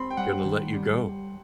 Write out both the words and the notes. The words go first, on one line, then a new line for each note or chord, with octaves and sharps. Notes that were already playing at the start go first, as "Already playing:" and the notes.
gonna let you go,
Already playing: C4 B5 C6
G5
G3 F#5
D#3
G3